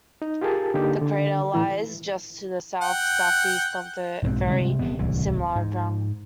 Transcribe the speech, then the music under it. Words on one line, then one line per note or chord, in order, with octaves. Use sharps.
The crater lies just to the south-southeast of the very similar Runge.
D#4
F4 G4 G#4 A#4 A5
D3 A#3 D#4 G4
D3
A2 E3 E4
F#5 G5
B1 G#2 B2 C4
C3 D#3 G3 G#3
D#1 F2 C3 B3
D1 C2 E3
G#2